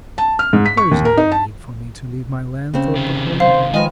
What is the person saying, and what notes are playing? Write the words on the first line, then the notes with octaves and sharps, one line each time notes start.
"There's no need for me to leave my land," thought Pahom.
A5
F6
G#2
B6
C#6
D#2
A#4
D#4
A5
C#3 C4
C3 D#3
C5 F5
D#3 F3 G#3 B4 G#5